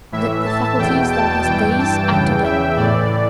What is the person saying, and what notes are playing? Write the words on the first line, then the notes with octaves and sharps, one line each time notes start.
Let the faculties thou hast dazed, act again.
A2 E3 E5
A5
E2 B2 G5
A5
G2 E3 G5
A5
E2 C#3 E3 G5
E5
A2 E3 D5